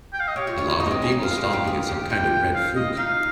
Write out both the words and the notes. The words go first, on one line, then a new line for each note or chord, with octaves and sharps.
A lot of people stomping in some kind of red fruit.
G5
F5
D#5
G4 C#5
F4
F4
D#4
D#4 D#5
A#3
C4
C#4
D#4
F4 F5
G4
G4
G#4
G4
F4 G5
F5
D#5
D#4 F5